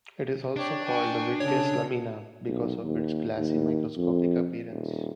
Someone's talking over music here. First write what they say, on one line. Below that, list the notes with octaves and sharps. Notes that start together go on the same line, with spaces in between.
It is also called the "vitreous lamina", because of its glassy microscopic appearance.
D4 G4 C#5
G5 G#5 C#6
C#3 A4 C#5
B1
D#2
D#2
F2
D#1